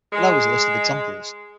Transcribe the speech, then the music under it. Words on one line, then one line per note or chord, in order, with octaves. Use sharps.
Below is a list of examples.
G#3